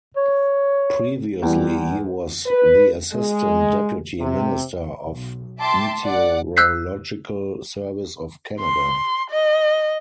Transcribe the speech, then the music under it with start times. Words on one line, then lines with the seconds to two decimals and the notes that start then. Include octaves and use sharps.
Previously he was the Assistant Deputy Minister of Meteorological Service of Canada.
0.17 C#5
1.42 E2 G3
2.46 B4
3.13 G#3
4.21 C3
5.05 B1
5.58 E5 G5 A5 C6 D6
6.03 D5 F#5 D6
6.57 E6 F#6 G6 B6 C7
8.60 C6
9.30 D#5